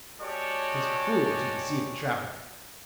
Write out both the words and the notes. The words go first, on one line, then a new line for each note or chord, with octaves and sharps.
It is cruel to deceive a traveller.
G#3 F#4 G4 A4 C#5 D5